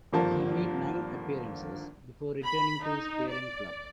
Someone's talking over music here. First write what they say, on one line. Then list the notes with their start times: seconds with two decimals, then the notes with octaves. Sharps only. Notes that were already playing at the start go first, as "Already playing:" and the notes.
He made nine appearances before returning to his parent club.
0.13 G#1 G2 D3 F3 A#3 A5
2.43 B5
2.84 D#4
3.30 D5